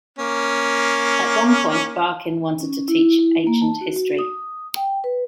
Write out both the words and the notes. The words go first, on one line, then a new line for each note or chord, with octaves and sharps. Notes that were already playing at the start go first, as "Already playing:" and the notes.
At one point, Barkin wanted to teach ancient history.
A#3 C#4
C#4
E4
E4
A#3
A5
F#4
F#4
D#6
G5
B4